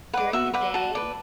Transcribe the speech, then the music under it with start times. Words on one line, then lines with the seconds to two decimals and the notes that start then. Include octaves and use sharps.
during the day,
0.13 B4 D5 F#5
0.33 F#4 E5
0.53 B4 D5 F#5
0.74 F#4 A5
0.95 B4 D5